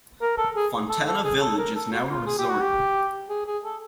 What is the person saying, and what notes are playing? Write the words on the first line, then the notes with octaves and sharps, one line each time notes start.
Fontana Village is now a resort.
A#4
A4
G#4
A4
A4
G#4
G#4
A4
A#4
A4
F#4
F4
G#4
G4
F#4
G4
G#4
G#4
A4